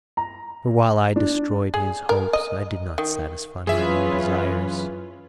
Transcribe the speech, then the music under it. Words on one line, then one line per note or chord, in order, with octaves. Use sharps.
For while I destroyed his hopes, I did not satisfy my own desires.
A#5
D4
G#4
A#4
D#5
D#3
F#2 E3 C#4 F4 G#4 B4 E5